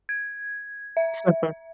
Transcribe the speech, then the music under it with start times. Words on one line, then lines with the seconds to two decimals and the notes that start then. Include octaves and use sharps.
So far.
0.09 G#6
0.97 E5